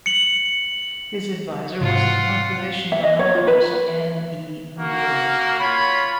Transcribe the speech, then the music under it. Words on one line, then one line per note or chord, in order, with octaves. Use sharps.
His advisor was the population biologist Anne E. Magurran.
C#7 F#7
G#2 C3 F4 F#5
E5
D#5
C#5
F4
B4
A#3 F#4
F4 C#5 B5